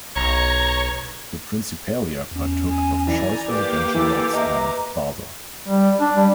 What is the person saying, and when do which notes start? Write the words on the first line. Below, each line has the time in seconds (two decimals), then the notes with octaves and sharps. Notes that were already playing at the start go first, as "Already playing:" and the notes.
The "principalia" partook of choice residential lots around the plaza.
0.16 B1 C#5 A#5
2.31 E2 C#4
2.68 G#5
3.07 E3 D5 G#5 A#5
3.48 A#3 G4 B4 D6
3.94 E3 A4
4.33 D#5 E5 A#5
5.68 G3
6.01 D4
6.16 G3